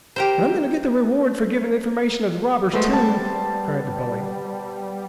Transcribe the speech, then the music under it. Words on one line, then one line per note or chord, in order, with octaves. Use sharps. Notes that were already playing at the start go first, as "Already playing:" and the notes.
"And I'm going to get the reward for giving information of the robbers, too!" cried the bully.
G4 A#4 C5
G#3 A3 B3 C5
G3 A5